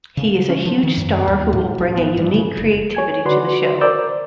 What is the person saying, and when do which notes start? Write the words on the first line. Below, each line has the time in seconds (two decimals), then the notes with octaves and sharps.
He is a huge star who will bring a unique creativity to the show.
0.17 C#3
0.49 C#4
0.65 F3
0.83 D#3
0.97 F#2
1.28 D#2
1.53 A2
1.78 A1
1.97 B3
2.17 G2
2.34 C#3
2.57 F1
2.95 C#5 G#5 G#6
3.25 D3 F#4 B4 D5 C6
3.81 A#4 C5 D5 E6 G6